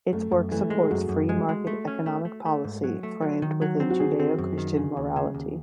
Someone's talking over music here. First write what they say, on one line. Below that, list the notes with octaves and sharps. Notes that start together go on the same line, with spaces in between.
Its work supports free market economic policy framed within Judeo-Christian morality.
F#2 A3
F#2
E3 A3
G#3
G#4
F#2 F#4
F#2
G#3
G#3
A3
C#4
A3
A3
A3
G#2
F#3
A3
F#3
D#3
F#3
C4
F#4
D#3 G#4
C4
F#2
D#3
C#3
D#2
C#3
D#2